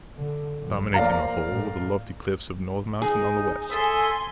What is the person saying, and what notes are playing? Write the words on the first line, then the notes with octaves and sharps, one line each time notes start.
Dominating the whole were the lofty cliffs of North Mountain on the west.
D3
B1 F#2
F3 A#3 D5 F5 A#5
A2
D#4 G#4
A4 E5 G#5 C6 D#6